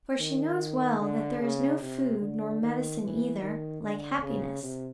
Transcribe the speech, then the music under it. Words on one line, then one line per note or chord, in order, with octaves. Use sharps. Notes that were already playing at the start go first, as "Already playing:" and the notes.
For she knows well that there is no food, nor medicine either, like happiness.
D#3
D3
C#3
C3
D3
D#3
E3
D#3
D3
C#3
C3